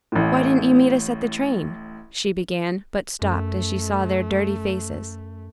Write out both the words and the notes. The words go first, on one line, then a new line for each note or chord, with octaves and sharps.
"Why didn't you meet us at the train?" she began, but stopped as she saw their dirty faces.
A1 A2
F#2 A3